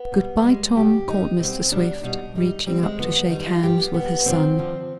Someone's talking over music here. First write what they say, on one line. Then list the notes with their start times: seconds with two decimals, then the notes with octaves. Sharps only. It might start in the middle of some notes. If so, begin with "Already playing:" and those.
"Good-by, Tom," called Mr. Swift, reaching up to shake hands with his son.
Already playing: B3
0.12 B2 G3
0.43 B2 G3 G#3
0.76 B2 G3 G4
1.08 F2 D3 G3 D#4
1.40 B2 G3 C4
1.72 B2 G3 D4
2.03 B2 G3 D#4
2.35 G#2 G3 D#4
2.67 B2 G3 C4
2.83 G#3
2.99 G2 D3 F3 B3
3.30 F2 D#3 G3 D#4
3.47 F4
3.63 G2 F3 G4
3.79 B3
3.94 B2 G3 B3
4.26 G2 D3 F3 C4
4.59 F2 D3 F3